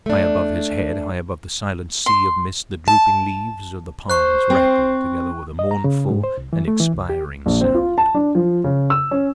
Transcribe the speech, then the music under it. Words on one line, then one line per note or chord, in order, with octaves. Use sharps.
High above his head, high above the silent sea of mist the drooping leaves of the palms rattled together with a mournful and expiring sound.
A3 D4
C6
A5
C5 C#6 F#6
C4
D#5
A#5
C#3
G#2
C5
C2
E3
A3
E3
C#2
G4
A#1
C4
F4
A5
D4
F3
C#3
E6
C#4